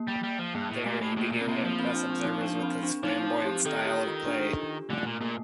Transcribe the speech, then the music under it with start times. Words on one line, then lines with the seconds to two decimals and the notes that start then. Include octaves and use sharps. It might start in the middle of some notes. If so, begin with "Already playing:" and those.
There, he began to impress observers with his flamboyant style of play.
Already playing: A#3
0.08 G3
0.24 G3
0.39 F3
0.54 G2 A#3
0.70 A2
0.86 A#2 A3
1.01 A2
1.17 A2 A#3
1.32 A#2
1.41 C4
1.48 C3 A#3
1.63 F3
1.79 C4
1.94 D4
2.10 D4
2.25 D#4
2.41 D4
2.62 C4
2.83 D4
3.03 F3 D#4
3.24 D#4
3.45 G4
3.66 D#3 A4
3.86 G4
4.07 F4
4.27 D4
4.90 D3 A3
5.05 A#2
5.21 A#2 A#3